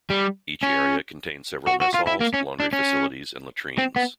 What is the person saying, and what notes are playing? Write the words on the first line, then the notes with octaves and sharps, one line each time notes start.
Each area contained several mess halls, laundry facilities and latrines.
G3
C#4
F#4
F#4
F4
E4
A#3
C#4
D4
C#4
C4
B3